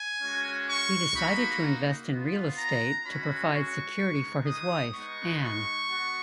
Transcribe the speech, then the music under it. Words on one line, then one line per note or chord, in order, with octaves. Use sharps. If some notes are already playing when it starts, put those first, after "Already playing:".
He decided to invest in real estate to provide security for his wife, Ann.
Already playing: G#5
G#3 C#4 F#4
C#6
A#3 D#4 F#4 B5
B3 F4
A#5
G#3 C#4 F#4 B5
C#6
G#3 B3 D#4
D#6
G#3 B3 D#4 C#6
C#6
B3 F#4